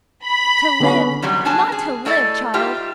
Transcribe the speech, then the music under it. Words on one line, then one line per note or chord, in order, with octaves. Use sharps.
"To live--not to live, child!"
B5
D3 B3 C#4
G#2 C3 F#3 G3
F#3 C#4 D4 G#4 G#5 A5
G#4
A2 A3 A4 D5 D#5
G#2 F4 G4 E5